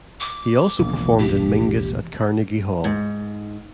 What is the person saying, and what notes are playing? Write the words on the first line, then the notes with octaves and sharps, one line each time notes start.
He also performed in Mingus at Carnegie Hall.
D6
E1 A#1
G4
G#2